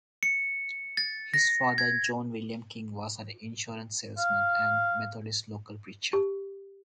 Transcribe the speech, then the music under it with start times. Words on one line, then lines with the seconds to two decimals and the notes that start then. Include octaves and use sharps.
His father John William King was an insurance salesman and Methodist local preacher.
0.23 C#7
0.97 A6
1.34 A#6
1.78 G#6
4.18 F5
6.13 G4